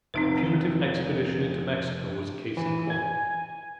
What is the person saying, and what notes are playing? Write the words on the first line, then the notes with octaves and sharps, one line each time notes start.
The punitive expedition into Mexico was a case in point.
F1 C4 D#4 B4
E3
G#5